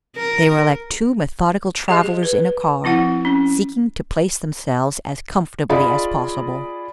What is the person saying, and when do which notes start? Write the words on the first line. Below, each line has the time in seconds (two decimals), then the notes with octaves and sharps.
They were like two methodical travelers in a car, seeking to place themselves as comfortably as possible.
0.17 A#4
1.88 G4 G#4 D#5
2.23 B4
2.84 F3 C4 E4 F#5
3.25 C#4
5.69 F4 G#4 D5 D#5 B5